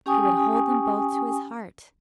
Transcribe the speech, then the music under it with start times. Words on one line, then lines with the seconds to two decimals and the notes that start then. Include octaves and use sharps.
He would hold them both to his heart.
0.06 C#4 G4 G5 G#5 C#6 D#6